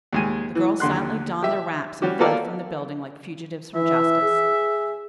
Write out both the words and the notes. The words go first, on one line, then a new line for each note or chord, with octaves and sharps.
The girls silently donned their wraps and fled from the building like fugitives from justice.
D#2 G#3 G#5
E3
D#2 D3 C6 F#6
G4 E5
G3 C#4 F#4 G4
A#3 B3 F4 A4 A#4 D5
E3 E5
G#4